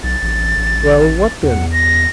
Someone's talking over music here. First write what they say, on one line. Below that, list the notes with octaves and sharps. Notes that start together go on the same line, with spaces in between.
"Well, what then?"
B1 A6
A1
A1
E2 F#5
A#6